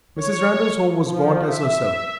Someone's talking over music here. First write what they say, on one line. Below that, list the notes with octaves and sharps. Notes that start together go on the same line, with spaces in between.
Mrs. Randal's home was gaunt as herself.
C#5
F3
E5